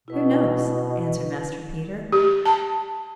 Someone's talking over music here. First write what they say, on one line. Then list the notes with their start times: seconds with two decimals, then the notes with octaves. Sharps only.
'Who knows?' answered Master Peter.
0.08 B2 E4 B4
2.12 G4
2.46 A5